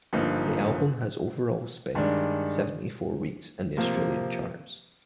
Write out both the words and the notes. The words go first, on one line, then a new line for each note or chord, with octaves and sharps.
The album has overall spent seventy-four weeks in the Australian charts.
G1 G2 F3 A#3 D#4
G2 D#3 G#3 D4
C3 F3 A#3